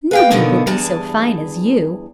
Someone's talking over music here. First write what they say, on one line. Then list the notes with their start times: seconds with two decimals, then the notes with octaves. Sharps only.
Nobody will be so fine as you.'
0.11 B4 F5 G5
0.31 B2 D3 D#3 F3 B3
0.67 E2 G2 E3 G#4 A5